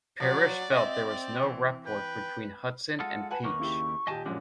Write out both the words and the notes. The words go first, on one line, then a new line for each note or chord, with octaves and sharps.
Pirosh felt there was no rapport between Hudson and Peach.
F3 F#3 B4 D5
C4 D#5 E5
E3
B4 G5
G#3 F4 A4 F#5
B4 F#5 G#5 A5
D#2 A#3 C#6
C#3 E4 G4
D#2 A#2 G4 D#5 G#5 A5
F#2 A#2 F3 G#3 D4 C#5